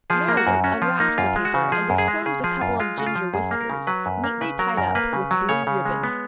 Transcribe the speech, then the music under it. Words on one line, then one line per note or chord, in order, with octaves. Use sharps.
Merriwig unwrapped the paper, and disclosed a couple of ginger whiskers, neatly tied up with blue ribbon.
F3 G#4
A#3
F#4
F#2
C#4 F#4
F3 F4
A#3 D#4
F#2 F4
G#3
F#4
C#3
F3 G#4
F#2
G#4
G#3
C#3 G#4
F3 G#4
F#2 F4
G#3 F4
C#3 F#4
F4
F3
F#2 G#4
A#3
A#4
C#3
F#3 B4
F#2
A#3
C#3 B4
F#3 A#4
F#2 A#4
A#3 B4
C#3
F#3
C#3 C#5
C#3
G#3
B3